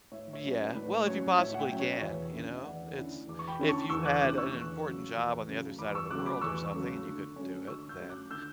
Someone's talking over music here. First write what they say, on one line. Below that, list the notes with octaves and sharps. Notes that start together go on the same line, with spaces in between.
Yeah. Well, if you possibly can. You know? It's if you had an important job on the other side of the world or something and you couldn't do it, then
A2 C#5 E5
C#5 E5
F#3 C#4
B4 D5
A2 B4
F#3 C#4 C#5
A2 C#5 E5
F#5
E5 G5
F#3 C#4
C#5
E2 C#5 E5
D3 A3 C#4 E4
E5
E2 D5 F#5
D3 A3 C#4 E4
E2 D6
C#6
G5 B5
D3 A3 C#4 E4
A5 C#6
E2 C#6 E6
D6 F#6
D3 A3 C#4 E4 D6 F#6
C#6 E6
E2
C#3 F#3 A3
E2
C#3 F#3 A3
E2 B5 D6
C#6 E6
C#3 F#3 A3 D6 F#6
B5 D6
E2 C#6 E6
C#3 F#3 A3
D3
F#3 A3 C#4
D3 C#6 E6
E6 G6
F#3 A3 C#4
D6 F#6
D3 E6 G6